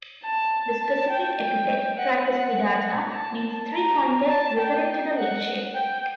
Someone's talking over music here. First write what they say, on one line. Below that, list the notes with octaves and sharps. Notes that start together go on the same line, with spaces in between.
The specific epithet "tricuspidata" means three-pointed, referring to the leaf shape.
A5
A5
G5
G5
F#5
F#5
A5
A#5
A5
G5
F#5
G5